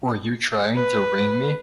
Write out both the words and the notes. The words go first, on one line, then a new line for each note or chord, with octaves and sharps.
Were you trying to ring me?
B4